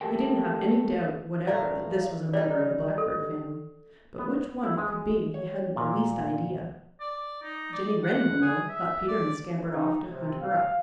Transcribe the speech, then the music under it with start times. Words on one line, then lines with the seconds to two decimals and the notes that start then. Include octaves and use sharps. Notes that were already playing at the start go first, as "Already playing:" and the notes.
He didn't have any doubt whatever that this was a member of the Blackbird family, but which one it could be he hadn't the least idea. "Jenny Wren will know," thought Peter and scampered off to hunt her up.
0.01 A3 G4 A4 A#4 G5
1.47 A2 D5 F5 A#5
2.34 G3 D#4 D5
2.98 A4
4.18 B3
4.64 E4
4.77 G#3
5.34 C#5
5.76 A#2
7.01 D5
7.43 D#4
7.73 D5
8.03 F#5
8.42 G#4
8.68 E5
9.08 D5
9.70 D#4
10.10 C3
10.41 F5